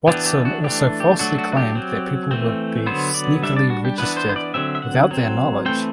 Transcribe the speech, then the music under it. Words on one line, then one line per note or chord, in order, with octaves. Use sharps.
Watson also falsely claimed that people would be sneakily registered without their knowledge.
E3 B3 D4 G4
G4
F#4
E3 A3 D4 G4
G4
F#3 A3 D4 F#4
F#4
F#4
G4
F#3 C4
E3 A3 C4
D3 F#3 B3 C5
D5
G3 D4 E5
D5
F#4
G4
E3 B3 D4 B4
C5
C5
D5
D3 F#3 C4 E5
E5
F#5
F#3 C4
E3 A3 C4 G5